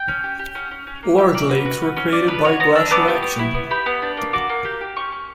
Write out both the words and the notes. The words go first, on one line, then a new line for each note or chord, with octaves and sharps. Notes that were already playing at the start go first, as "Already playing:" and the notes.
Large lakes were created by glacial action.
Already playing: G5
C#4
G4
G4
C#4 F#5
C#4
C#4
A#3
G4 E5
A#3 D5
F#4 B4
F#4
C#4
C#4
D4 D5
B3 B4
F#4 C#5
B3 A#5
D4 E6
B3 D6
G4 C#6
B3
E4
B3
G4 B5
B3
D4
A#3
F#4 D6
A#3
G4
G4
C#4 C#6
C#4